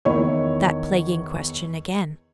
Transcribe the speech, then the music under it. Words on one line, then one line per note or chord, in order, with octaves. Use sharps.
That plaguing question again.
E2 D#3 E4 C#5